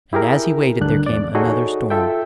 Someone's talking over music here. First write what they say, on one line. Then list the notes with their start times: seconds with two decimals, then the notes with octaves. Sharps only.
And as he waited, there came another storm.
0.13 E4 G4 G#4 A#4
0.80 D2 G2 D3 D4 F#6
1.06 E2 D5
1.35 D#4 F#4 G#4 A4 C#5 D#5
1.90 F4 A4 E5 G5